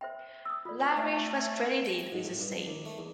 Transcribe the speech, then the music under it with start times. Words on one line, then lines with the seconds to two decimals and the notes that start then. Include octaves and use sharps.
Larish was credited with the save.
0.01 C5 E5 G5
0.45 D#6 E6
0.65 F4 D5
0.95 A3
1.85 A4
1.98 G5
2.12 G#2
2.25 A2
2.39 G2
2.52 F3
2.66 D#2
2.85 A3
2.98 E2